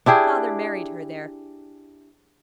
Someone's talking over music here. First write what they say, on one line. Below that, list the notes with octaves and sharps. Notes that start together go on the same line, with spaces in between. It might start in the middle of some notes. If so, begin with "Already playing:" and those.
Father married her there.
D4 E4 G4 G#4